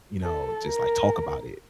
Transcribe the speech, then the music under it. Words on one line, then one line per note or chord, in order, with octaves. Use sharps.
you know, just, like, talk about it,
A4
A#4